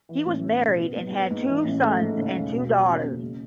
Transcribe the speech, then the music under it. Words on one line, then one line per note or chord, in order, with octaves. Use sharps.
He was married and had two sons and two daughters.
E3
A1
C#4
B2
B3
G#2
B3
G#2
E3
A1
A3
G#2
C#3
E1
B2
E1
C#3
F#1
G#3